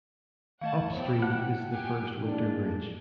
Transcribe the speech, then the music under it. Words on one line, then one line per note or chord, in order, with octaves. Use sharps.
Upstream is the First Winter Bridge.
D#3 A3 D#5 F5 F#5 A5 G#6
B3 E4 G4 C5 C#5
F#5 A5
G4 G#5
G#3 A#3 D4